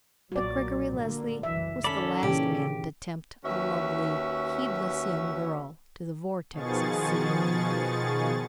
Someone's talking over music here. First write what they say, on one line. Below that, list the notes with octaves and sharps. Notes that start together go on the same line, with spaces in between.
But Gregory Leslie was the last man to tempt a lovely, heedless young girl to the vortex of city life.
B1 A#2 F#3 F#4 D5
A#2 D3 A#3
F#1 C2 E3 E5
D#3 C#4 A4 D5 B5
A#2 C#3 E3 G4
D#2 C#4 F#4 B4 E5
B2 D#3 F3 G#4 C#6 A6